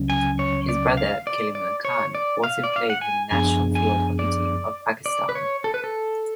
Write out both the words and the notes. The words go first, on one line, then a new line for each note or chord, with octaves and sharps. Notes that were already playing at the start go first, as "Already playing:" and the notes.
His brother Kaleemullah Khan also played for the national field hockey team of Pakistan.
Already playing: C#2 C#3 F#3 C#4
G#5
C#5
D5
F5
D5
D5
C#5
D5
F5
D5
F5
F#5
G#5
F#2 F3 B3 D4 G#4 G#5
G#5
D5
D5
B4
C#5
A4
B4
A4